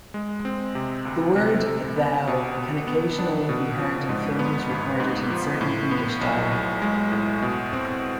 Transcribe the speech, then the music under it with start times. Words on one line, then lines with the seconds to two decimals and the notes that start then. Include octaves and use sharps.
The word "thou" can occasionally be heard in films recorded in certain English dialect.
0.14 G#3
0.45 C4
0.75 C3
1.05 D2
1.36 C3
1.66 C3
1.96 B3
2.27 B2
2.57 B2
2.87 B3
3.18 D4
3.49 B2
3.79 F3
4.09 G#2
4.39 B3
4.69 G#1
5.00 G#2
5.30 F3
5.61 A2
5.91 B3
6.21 B1
6.51 B1
6.82 G#3
7.12 A2
7.42 B2
7.73 C4